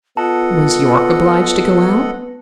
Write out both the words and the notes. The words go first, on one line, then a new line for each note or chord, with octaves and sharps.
"Was Yorke obliged to go out?"
B3 F4 A4 D#5 F#5 A5